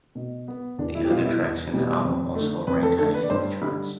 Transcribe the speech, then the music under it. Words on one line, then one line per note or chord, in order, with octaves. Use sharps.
The other tracks in the album also ranked highly in the charts.
B2
B3
E2 D4
E4
G4
B2 G3 B3 F4
E4
E2
B2 G3 B3
F2
A3
D3
F2 B4
A4
D3 A3 A4
B4
D5
G2 C5
D3 G3 B5